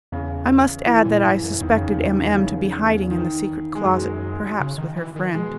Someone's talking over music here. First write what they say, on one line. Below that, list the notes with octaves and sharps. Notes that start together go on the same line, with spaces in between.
I must add that I suspected M---- M---- to be hiding in the secret closet, perhaps with her friend.
E2 C#3
E3
A#2
G#2
F#2
E2 D#3
F#2 C#3
E2
D#3
C#3
D#3
G#3
F#2 F#3
C#3
D#3
E3
D#3
B2 G#3